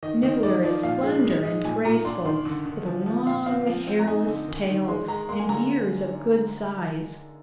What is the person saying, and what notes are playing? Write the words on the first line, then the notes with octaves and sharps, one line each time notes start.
Nibbler is slender and graceful, with a long, hairless tail and ears of good size.
D#3 D#5
D#3 D#5
D#4 D5
F3 D5
A#2 F5
G#3
D#4
D#4
A#2 G#5
A#2 A#5
D4 C6
D#3 C6
D3
D3
F3
F3
A#2 F5
C4 F5
F3
C4
A#5
D#4 G#5
D3
D#3
D#3
G#3 C6
G#3 A#5
A#3 C6
G#5
D3 A#5